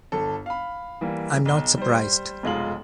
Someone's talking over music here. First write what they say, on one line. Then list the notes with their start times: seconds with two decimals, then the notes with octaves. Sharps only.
I’m not surprised!
0.12 G1 A4
0.46 F5 B5
1.01 E3 G3 A#3
1.45 B1 G7
1.78 G3 C5
2.43 F1 B1 G#3 F4 F#7